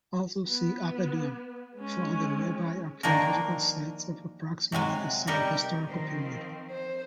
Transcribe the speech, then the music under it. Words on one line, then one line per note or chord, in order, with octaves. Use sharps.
Also see Oppidium for other nearby archaeological sites of approximately the same historical period.
B3
G#3 C#4
D#3 F3 A#3 D4 G#4 A#4
C3 F#3 G#3 G#5
G3 D#4 G4 A#4 D#5
D#3 F3 C4
C5